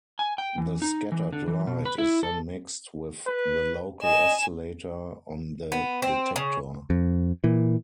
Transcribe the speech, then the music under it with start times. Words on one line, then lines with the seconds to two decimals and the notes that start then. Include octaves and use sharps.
The scattered light is then mixed with the local oscillator on the detector.
0.19 G#5
0.38 G5
0.58 E3
0.82 D#4
1.12 E3
1.33 D3
1.48 E3
1.67 B2
1.85 B4
1.98 E4
2.23 A4
3.28 B4
4.03 D#5 G#5 E7
5.72 B3
6.02 C4
6.36 C#3
6.90 F2
7.44 A#2 E3